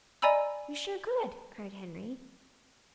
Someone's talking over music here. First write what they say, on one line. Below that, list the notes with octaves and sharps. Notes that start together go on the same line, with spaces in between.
"We sure could!" cried Henry.
D5 D#5 G#5 A#5 B5 E6